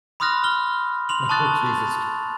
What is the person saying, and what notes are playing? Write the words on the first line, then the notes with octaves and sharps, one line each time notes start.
Oh, Jesus.
B5 C6 D#6 F6 F#6 A#6
F6 G7
C6 F7 F#7
A5 C#6 D#6 F#6 A6